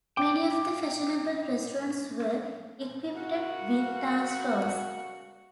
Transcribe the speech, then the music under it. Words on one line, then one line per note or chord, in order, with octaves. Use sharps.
Many of the fashionable restaurants were equipped with dance floors.
G5 D6
C#3 A#3 F#4